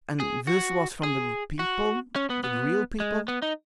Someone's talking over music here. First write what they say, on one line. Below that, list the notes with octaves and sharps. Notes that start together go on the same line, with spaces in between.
"And this was from the people, the real people?"
G#4
F#4
G#4
F#4
C#4
B3
B3
G#3
B3
D#4